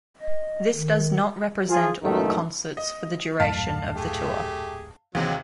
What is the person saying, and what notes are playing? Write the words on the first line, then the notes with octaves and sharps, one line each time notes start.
This does not represent all concerts for the duration of the tour.
D#5
D#3
F3 F4 G#4
A1 F#2 A#2 D#3 E3 A3
D#5
D#1 F#2 A2 F5 A5 B6
A3 G4 G#4
D#2 C3 E3 F#3 G#3 C4